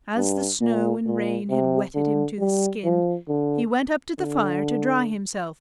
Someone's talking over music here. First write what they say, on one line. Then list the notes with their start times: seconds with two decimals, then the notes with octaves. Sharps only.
As the snow and rain had wetted him to the skin, he went up to the fire to dry himself.
0.16 G2
0.61 A#2
1.06 A#2
1.49 C3
1.94 D3
2.39 G3
2.84 F3
3.28 D3
4.18 D3